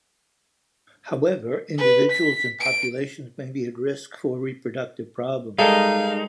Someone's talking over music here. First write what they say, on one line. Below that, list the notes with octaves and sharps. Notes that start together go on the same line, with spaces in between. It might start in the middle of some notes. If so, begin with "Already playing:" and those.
However, individuals and populations may be at risk for reproductive problems.
B4
B6
D7
G3 G#3 D#4 A4 A#4 F5